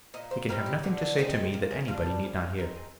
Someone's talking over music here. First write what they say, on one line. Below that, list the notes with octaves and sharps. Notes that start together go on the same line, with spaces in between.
He can have nothing to say to me that anybody need not hear.
A#2 D#5
C5
G3 C4 D#4 A#4
G4
D3
G#3 C4 D#4 G#4
A#2 G4
G#4
G3 D4 F4
G4
F3 G#4
A#4
C4 D#4 A#4
G#4